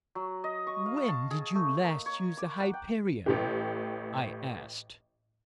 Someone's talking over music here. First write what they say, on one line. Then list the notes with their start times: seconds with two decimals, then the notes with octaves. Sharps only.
"When did you last use the Hyperion?" I asked.
0.15 F#3
0.44 D#5
0.67 C#6
0.86 F5
1.08 A5
1.31 G#4
1.55 A3
1.83 A#3
2.06 C#5
2.37 D6
2.60 F#5
2.73 G5
3.26 A1 A2 G4